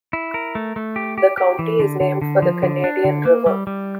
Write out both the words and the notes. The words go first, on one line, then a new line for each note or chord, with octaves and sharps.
The county is named for the Canadian River.
E4
A#4
A3
A3
G4
G4
G4
E3
D3
D3
D3
F3
D3
D4
D3
A#3
G3
G3